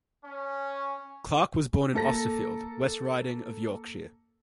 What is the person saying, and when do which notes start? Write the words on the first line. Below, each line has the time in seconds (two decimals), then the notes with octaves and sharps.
Clarke was born in Austerfield, West Riding of Yorkshire.
0.25 C#4
1.94 A#3 A4 A#6